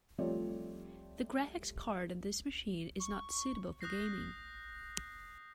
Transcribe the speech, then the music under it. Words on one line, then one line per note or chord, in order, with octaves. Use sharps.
The graphics card on this machine is not suitable for gaming.
F3 G3 A3 C4 C#5 D5
C#6
D#6 F#6 G6 A#6 C7